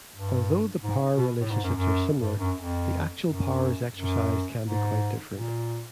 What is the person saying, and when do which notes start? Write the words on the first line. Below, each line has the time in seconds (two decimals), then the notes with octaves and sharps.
Although the power relationships are similar the actual powers exercised can be quite different.
0.13 G2
0.83 G#2
1.17 B2
1.40 A2
1.51 G#2
1.63 F#2
1.74 F#2
2.21 G2
2.38 F#2
2.56 F2
3.25 F#2
3.94 F#2
4.63 G#2
5.32 A#2